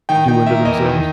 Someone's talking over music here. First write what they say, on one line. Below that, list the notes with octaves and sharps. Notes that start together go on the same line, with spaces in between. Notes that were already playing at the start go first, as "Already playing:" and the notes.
doing to themselves.
D#3 G5
D#3 G5
A#3 E5
E2 D#5
D#3